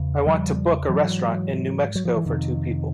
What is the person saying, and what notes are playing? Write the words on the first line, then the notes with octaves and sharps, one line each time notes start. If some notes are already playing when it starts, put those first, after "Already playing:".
I want to book a restaurant in New Mexico for two people.
Already playing: E2 C#3
F3 G3
F3
G#2 E3 F#3
F#3
F3
E3
F2 C3 D#3